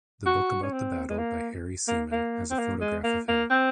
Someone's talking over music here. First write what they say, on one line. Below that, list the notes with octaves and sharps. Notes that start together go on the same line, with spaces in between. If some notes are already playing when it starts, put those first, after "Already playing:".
The book about the battle by Harry Seaman has a photograph of him.
F#4
C#4
C4
G#3
A#3
A#3
A#3
C4
A#3
G#3
A#3
A#3
C4